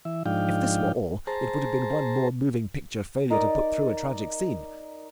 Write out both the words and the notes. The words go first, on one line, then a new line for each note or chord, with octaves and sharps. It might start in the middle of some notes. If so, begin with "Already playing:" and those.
If this were all, it would have been one more moving picture failure to put through a tragic scene.
E3 E5
G#2 F3 D4 D#4 F5 G5
G#4 C5 A5 A#5
D#4 A#4 D5 D#5